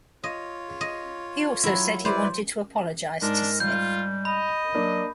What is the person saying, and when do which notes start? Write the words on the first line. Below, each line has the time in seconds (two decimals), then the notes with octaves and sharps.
He also said he wanted to apologize to Smith.
0.24 F4 C#5 D#5
0.81 D#5
1.64 F#3 E4
2.05 E4 B4 C5 D5
3.22 G#2 D4 A#4
3.60 G3 F4 G6
4.25 D#5 B5
4.75 F#3 A#3 D4